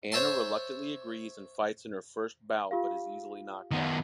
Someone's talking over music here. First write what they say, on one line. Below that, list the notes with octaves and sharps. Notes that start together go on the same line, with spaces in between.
Anna reluctantly agrees and fights in her first bout but is easily knocked out.
C5 C#5 E5 A5 C6
F4 G4 F5
D#3 B3